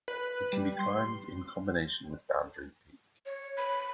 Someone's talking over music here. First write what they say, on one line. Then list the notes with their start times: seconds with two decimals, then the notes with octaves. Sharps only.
It can be climbed in combination with Boundary Peak.
0.08 B4
0.53 G3
0.79 C6
3.26 C#5
3.58 B5